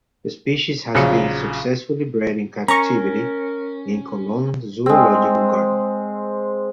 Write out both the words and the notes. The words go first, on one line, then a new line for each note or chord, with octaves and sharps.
The species has been successfully bred in captivity in Cologne Zoological Garden.
A#1 C#3 F#3 C#7
C#4 A#4 A#5 C#6
G#3 C4